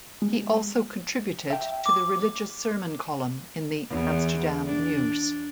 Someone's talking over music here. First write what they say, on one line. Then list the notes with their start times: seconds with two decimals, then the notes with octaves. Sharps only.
He also contributed to the religious sermon column in the "Amsterdam News".
0.22 G#3
1.50 E5 G5
1.86 D6
3.90 E2
4.66 D4